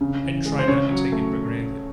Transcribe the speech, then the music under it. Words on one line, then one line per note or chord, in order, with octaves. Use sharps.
I try not to take it for granted.
C#3
E3
G#3
C5
C#3 C#5
F#3
A3